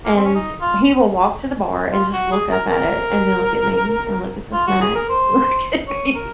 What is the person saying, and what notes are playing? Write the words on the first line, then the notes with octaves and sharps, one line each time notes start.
and he will walk to the bar and just look up at it and then look at me and look at the snacks, look at me.
A#3
C4
C#4
D#4
F4
F4
F#4
G#4
A#4
A#4
F4
F#4
G#4
A#4
C5
C#5
A#4